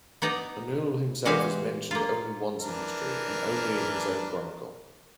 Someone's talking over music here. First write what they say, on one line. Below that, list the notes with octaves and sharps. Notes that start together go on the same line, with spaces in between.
Ernoul himself is mentioned only once in history, and only in his own chronicle.
B3 D#4 D5 A#5
E3 G#3 F#4 G4 F5 G#5
A#3 F4
E3 D4 A#4